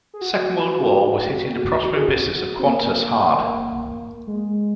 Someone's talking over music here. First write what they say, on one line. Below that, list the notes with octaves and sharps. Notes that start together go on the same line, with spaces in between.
Second World War was hitting the prospering business of Qantas hard.
G#4
F#4
F#4
G#4
F#4
C4
A#3
G#3